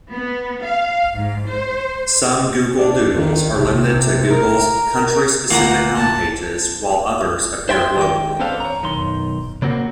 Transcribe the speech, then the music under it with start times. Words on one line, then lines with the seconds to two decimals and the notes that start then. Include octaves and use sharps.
Some Google Doodles are limited to Google's country-specific home pages while others appear globally.
0.11 B3
0.64 F5
1.15 G#2
1.47 C5
2.79 D4
3.18 D#3
3.58 C3
4.31 A#4
5.50 D2 A#3 F4 F#4 F#5 A#5
5.96 A5
7.69 C5 E5 G5 C6
7.97 D#3 G#3 G5
8.39 B3 C4 D4 A4 C5 F5
8.60 C#5 A#5
8.82 B1 D#3 C6
9.62 C#3 A#3 C4 F#4